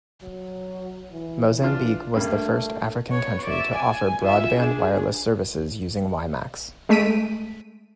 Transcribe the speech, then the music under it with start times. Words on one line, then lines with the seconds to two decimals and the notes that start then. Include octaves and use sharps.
Mozambique was the first African country to offer broadband wireless services using WiMax.
0.22 F#3
1.12 E3
1.62 D4 F4
2.14 G2 A3 A#3
3.10 B3 C#5
3.46 D5 E5
3.77 G#5
4.22 F4 E5
4.54 D4 G#4
6.89 G#3 A3 B6 D7 D#7